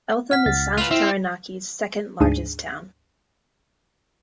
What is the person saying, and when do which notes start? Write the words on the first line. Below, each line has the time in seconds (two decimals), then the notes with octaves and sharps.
Eltham is South Taranaki's second largest town.
0.31 F#5 F6 B6
0.46 C#2 A6
0.78 F4 B4 F7 F#7
0.91 C4 E4 E5
2.20 D2 G#2 D4 G#4 D#7